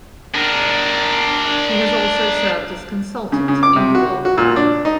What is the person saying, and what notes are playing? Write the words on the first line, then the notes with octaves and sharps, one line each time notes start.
She has also served as consultant in the World Bank.
D4 A#4
C#3
C#3
D6
C3
F#4
F#4
A#2
D4
D#4